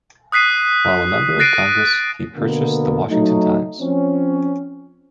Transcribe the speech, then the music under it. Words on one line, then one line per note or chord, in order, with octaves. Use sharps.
While a member of Congress he purchased the "Washington Times".
D#6 F#6 B6 C7 D#7
F#6 A6 A#6 C7 D7 D#7
B2 D3 A#3 B3
F#3 A3 D#4
F3 C4 C#4